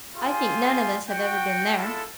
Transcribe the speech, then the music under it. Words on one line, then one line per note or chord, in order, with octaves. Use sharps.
I think none of us have ever been there.'
F4 G4 G#4 G#5 C6
F#4 G5
G#3 E4 F4 A4